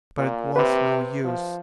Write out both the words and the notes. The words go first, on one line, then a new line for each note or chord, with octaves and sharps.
But it was no use.
A#2
C3 B4
F3